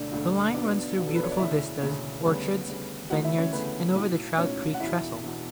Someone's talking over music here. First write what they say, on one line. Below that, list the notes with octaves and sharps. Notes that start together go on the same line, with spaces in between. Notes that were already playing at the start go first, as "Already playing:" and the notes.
The line runs through beautiful vistas, orchards, vineyards, and over the Trout Creek Trestle.
Already playing: E1 D2 D3 A3 D4 D5
E1 D2 D3 A3
B1 B2 F#3 B3 D4 D5
B1 B2 F#3 B3
A4
B4
C#5
D5
E1 D2 C#3 E4 E5
E1 D2 C#3
D2 C#3 G3 B3
D2 C#3 G3 B3
D2 C#3 E3 A3 F#4 F#5
E4 E5
C#4 C#5
D2 C#3 E3 A3 B3 B4
B1 A2 F#3
B1 A2 F#3 C#4 C#5
F#5
E1 E2 B2 E4 E5
E1 E2 B2